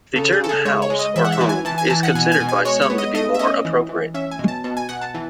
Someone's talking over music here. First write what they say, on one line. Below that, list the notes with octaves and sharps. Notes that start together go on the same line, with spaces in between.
The term "house" or "home" is considered by some to be more appropriate.
C#3 A4
G#4
C#3 A4
G#4
G#3 C#5
C#5
G#3
D#5
E3 E5
F#5
E5
E3
G#5
E3 A5
G#5
E3 A5
F#5
B2 G#5
G#5
B2
G#5
G#3 C#5
C#5
B3
D#5
A3 D#5
E5
C#4 D#5
E3
E3
C#4 E5
G#5
B2
A5
B2 A5
G#5
B2 F#5
A5
E3